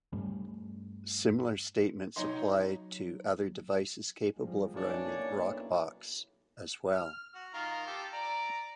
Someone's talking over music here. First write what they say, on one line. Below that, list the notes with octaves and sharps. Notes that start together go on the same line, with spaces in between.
Similar statements apply to other devices capable of running Rockbox, as well.
G2 G3 A3 C#4
F#3 D#4 C#5 D#5 C6
F3 G3 G#3
B1 F#3 A#3 C#4 D4 E4 C#5
F6
F#4
D#3 F4 A#4
F4 G4 A4
D5 A#5